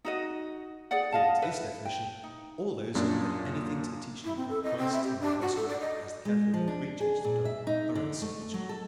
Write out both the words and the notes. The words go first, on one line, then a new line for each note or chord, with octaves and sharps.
According to this definition all those who have added anything to the teaching of Christ and the apostles, as the Catholic and Greek churches have done, are outside the Church.
D#4 F#4 D#5
G#4 D5 F#5
D#5 F5 A5
B4 E5
G5
D#4
F#2 A#2 D4
E4
C4
A4
D#5
C4
E5
G4
D4
F#4
A4
D5
D#5
G#3
F3
D4
G#4
A#2
E5
D#4
D3
A3
F#3
A4